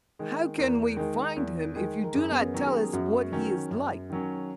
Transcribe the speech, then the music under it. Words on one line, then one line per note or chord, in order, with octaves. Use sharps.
"How can we find him, if you do not tell us what he is like?"
D#3 G#3
E2 A#4
D#3 G#3
E2
D#3 G#3
A#4
F#2 G#4
B3
C#4
D#3 F#3 C#4
G#4
F#2 F#4
D#3 F#3 C#4
F#2
D#3 F#3 C#4